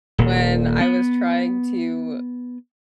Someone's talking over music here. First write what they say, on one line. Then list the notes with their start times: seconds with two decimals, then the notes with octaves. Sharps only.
When I was trying to,
0.18 D#1 A#2
0.81 B3